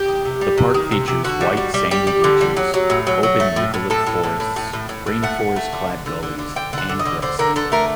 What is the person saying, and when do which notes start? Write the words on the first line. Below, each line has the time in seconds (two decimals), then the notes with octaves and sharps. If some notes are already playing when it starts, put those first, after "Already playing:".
The park features white sandy beaches, open eucalypt forests, rainforest-clad gullies and grasslands.
Already playing: G4
0.08 D#3
0.25 C3
0.41 G3
0.58 C3
0.74 D#3
0.92 C3
1.08 C3
1.24 D3 F#4
1.41 G3
1.57 G3
1.74 G3
1.91 G3 G4
2.07 G3
2.24 D3
2.41 G3
2.57 F#3
2.74 F#3
2.90 A2
3.07 F#3
3.23 F#3
3.40 A3
3.56 A2
3.74 A2
3.90 A2 A4
4.07 A2
4.24 A2
4.40 A2
4.56 A2
4.73 A2
4.89 A2
5.07 A2
5.23 A3 F#5
5.40 A3
5.56 A3
5.73 D3
5.89 D3
6.06 D3
6.23 D3
6.39 D3
6.56 D3 G5
6.73 D3 F#5
6.89 D3
6.99 D#5
7.06 D3
7.22 D3 C5
7.39 D3 A#4
7.56 D3 A4
7.72 A3 A#4